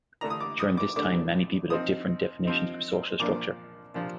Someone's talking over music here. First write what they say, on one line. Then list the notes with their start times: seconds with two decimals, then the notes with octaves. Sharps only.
During this time, many people had different definitions for social structure.
0.21 D3 A3 D4 A#5
0.30 D#6
0.40 D6
0.59 D#6
0.77 D6
0.96 D3 A3 D4 D6
1.70 F3 C4 D#4 D#6
2.45 F3 C4 D#4
3.20 A#2 F3 A#3 D4 D6
3.94 A#2 F3 A#3 D4